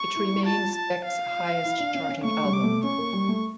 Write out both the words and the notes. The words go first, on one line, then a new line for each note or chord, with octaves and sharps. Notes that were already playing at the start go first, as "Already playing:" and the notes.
It remains Beck's highest-charting album.
Already playing: C#6
E4
E4
F4 A5
A5
F5
E4
D4
C#4
C#4
A3 C#6
G3
D6
A3
C#4 C#6
A#3
G3
A3